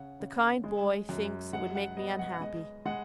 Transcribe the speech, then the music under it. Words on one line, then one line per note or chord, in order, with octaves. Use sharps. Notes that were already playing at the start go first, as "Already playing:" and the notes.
The kind boy thinks it would make me unhappy.
Already playing: C#3 F#5
C#3
G#3
F#2
G#3 F#5
F#5
B3 D#5
F#5
F#5
G#3 D#5
G#3 F#5